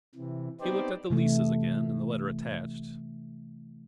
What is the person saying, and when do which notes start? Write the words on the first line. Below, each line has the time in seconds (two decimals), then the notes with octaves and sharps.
He looked at the leases again and the letter attached.
0.15 C3 E3
0.61 B3 C4 D#4 G4 C5 D5
1.10 C3 E3 A3